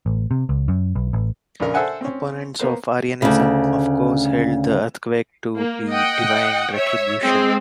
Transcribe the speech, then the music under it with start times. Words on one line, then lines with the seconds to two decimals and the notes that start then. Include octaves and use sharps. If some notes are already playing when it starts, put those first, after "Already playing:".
Opponents of Arianism of course held the earthquake to be divine retribution.
0.06 A1
0.31 C3
0.49 C#2
0.68 F#2
0.95 B1
1.13 A1
1.60 A#1 C#3 A#4
1.74 A4 C5 E5 F#5 G#5
2.01 C4 C#4
2.59 A#3 B3 A#4 C5
3.22 D2 C#3
5.56 A#3
5.88 D#5 F#5 G5
6.72 C#5 E5
7.22 G#3 C4